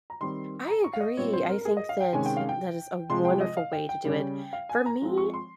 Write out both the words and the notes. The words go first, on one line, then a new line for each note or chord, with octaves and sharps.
I agree. I think that that is a wonderful way to do it. For me,
A#5
D#3 G3 C4 C6
A#5
C#6
F5
D#5
A#2 G3 C4 C#5
C5
A#4
A#4
G#4
D#5
F5
G5
C3 D#3 G#3 C#4 G#5
G5
F5
G5
C3 F3 G#3 C6
G5
D#5
F5
G5
G5
C#3 G3 C#4
F5
G#5
A#5
F3 G#3 C4
C#6
C6